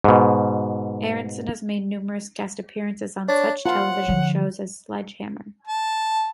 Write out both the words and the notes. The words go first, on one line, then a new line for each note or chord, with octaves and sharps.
Aronson has made numerous guest appearances on such television shows as Sledge Hammer!
G#2 B2
D4 C#5
F4 F#5
D3 F3
A5